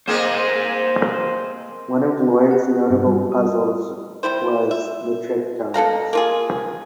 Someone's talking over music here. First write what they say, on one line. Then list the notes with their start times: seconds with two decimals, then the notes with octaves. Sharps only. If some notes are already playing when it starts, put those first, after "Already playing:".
One of Loyd's notable puzzles was the "Trick Donkeys".
0.08 A#3 C4 G#4 C5 D#5
2.51 F#5
2.90 G2
3.06 G3
3.32 D#6
4.23 C3 G3 E4 C5
4.71 E5
5.74 B2 A4 F5 A#5
6.13 A#3 F4 G#4